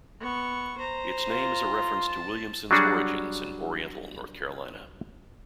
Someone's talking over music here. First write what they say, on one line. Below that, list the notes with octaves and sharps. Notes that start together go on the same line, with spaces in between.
Its name is a reference to Williamson's origins in Oriental, North Carolina.
B3 C#6
C5 A#5
F4
A5
F#3 G3 D4 F#4 G#4